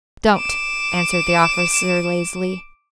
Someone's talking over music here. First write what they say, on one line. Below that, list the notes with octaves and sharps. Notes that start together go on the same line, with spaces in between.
"Don't," answered the officer lazily.
D6 E7